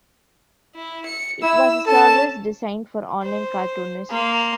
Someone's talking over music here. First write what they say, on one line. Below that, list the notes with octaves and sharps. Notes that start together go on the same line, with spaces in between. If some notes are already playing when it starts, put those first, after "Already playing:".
It was a service designed for online cartoonists.
E4
C#7
E4 E6
C#4 A4 A5
C5
A#3 C6